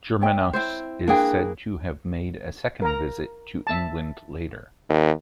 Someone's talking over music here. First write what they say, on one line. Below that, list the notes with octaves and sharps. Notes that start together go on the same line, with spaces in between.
Germanus is said to have made a second visit to England later.
C#5 E5 G5
C4 E4 C5
A#3 D4 G#4 B4 G5
A#4 A#5
E5 A5
D#2